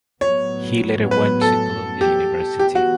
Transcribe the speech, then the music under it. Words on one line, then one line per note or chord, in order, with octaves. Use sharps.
He later went to Columbia University.
A2 F#3 B3 C#5
B4
A4
G4
A2 E3 B3 G4
F#4